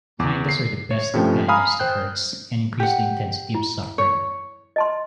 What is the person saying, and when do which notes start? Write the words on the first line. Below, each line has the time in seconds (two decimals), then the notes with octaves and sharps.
Kindnesses are the best companions to hurts, and increase the intensity of suffering.
0.20 E2 D6
0.49 C7
0.91 C#5
1.14 G2 C3 F3 A3 C#4 G5
1.48 F5 G#5 A#5 B5 D#6 F6
1.79 C5 G5 F#6 G6
2.80 G4 F#5
3.54 E4
3.98 C#5
4.76 D#5 A5 C6